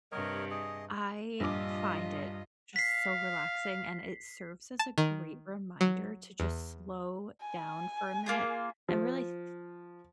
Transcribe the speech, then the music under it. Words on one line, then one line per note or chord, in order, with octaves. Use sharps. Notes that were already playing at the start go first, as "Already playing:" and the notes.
I find it just so relaxing, and it serves as a great reminder to just slow down for a minute and really th th
G2 C3 A#4 C#5 D#5
G#4 D#5
A#1 G2 F4 D#5 D6
F5 B6 C7
A5
D#3
F#3
E2
G#5
A#3 F4 G#4
F3